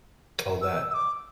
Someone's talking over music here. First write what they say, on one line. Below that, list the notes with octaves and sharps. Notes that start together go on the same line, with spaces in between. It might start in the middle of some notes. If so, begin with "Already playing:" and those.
all that,
E6
E6
D6